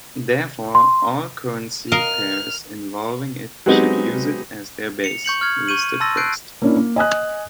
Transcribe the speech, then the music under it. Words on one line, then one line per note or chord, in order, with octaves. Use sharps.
Therefore, all currency pairs involving it should use it as their base, listed first.
C6
A#4 D#5 F5 F6
F#3 G#3 B3 C4 D#4 G4
C#7 F7
C#6 G6 C#7 F#7
F6 G#6
C#6 G6 D#7 F#7
A5 C6 E6 A6 A#6
F#6 G6 C7 D7
A#3 C#4 D4 E4
A#3
D#5 G#5 D#6 F#6